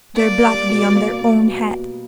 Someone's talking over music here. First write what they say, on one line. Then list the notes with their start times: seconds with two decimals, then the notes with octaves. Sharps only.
Their blood be on their own head!
0.16 A#3 D5
0.43 G3
0.69 B2
0.95 A#3
1.21 A#3
1.47 B2